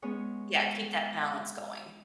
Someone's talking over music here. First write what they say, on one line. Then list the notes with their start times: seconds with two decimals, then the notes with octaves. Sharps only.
yeah, keep that balance going,
0.02 G#3 B3 C#4 C#5